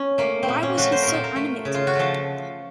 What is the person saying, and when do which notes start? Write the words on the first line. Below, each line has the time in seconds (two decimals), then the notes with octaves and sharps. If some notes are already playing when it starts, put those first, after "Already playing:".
Why was he so animated?
Already playing: C#4
0.18 A3 A#3
0.43 C4
0.48 A#2 A#3
0.63 C#4
0.77 F3 A3 F#4
0.92 C5
1.03 A#2 A#4
1.13 A4
1.24 A#4
1.36 A3
1.65 C#3
1.74 F4
1.87 F#4
1.95 F3 A3 A4